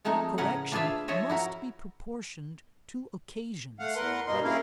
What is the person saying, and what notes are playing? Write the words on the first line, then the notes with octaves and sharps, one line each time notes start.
Correction must be proportioned to occasions.
F3 G#3 A3 C4 D#4
A2 C#3 C#4 A#4 B4 F#5
D4 F4 G#4 B4 E5 F5
F3 F4 C#5 D#5 E5
E4 F#4 A#4
A3 F5 F#5
E2 A#4 B4 F#5 C6
G2 B2 A#3 D#4 C6
A#3 C#4 E4 G#4 A#4 F5